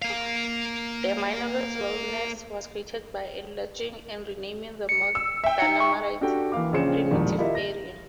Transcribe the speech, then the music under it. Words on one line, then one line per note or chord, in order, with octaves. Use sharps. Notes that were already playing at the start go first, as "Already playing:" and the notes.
The Minarets Wilderness was created by enlarging and renaming the Mount Dana-Minarets Primitive Area.
A#3 F5
C#7
E6
E5 G5
D#4 C#7
C#6
D4 F#4 G4 A4 G5
E3 A#3 F5 D6
A#1 C#3 F4 C5 C#7 E7
E1 C2 A#2 D#3 F3 G4
E4 F4 G4 A#4 D#5 E5
A#6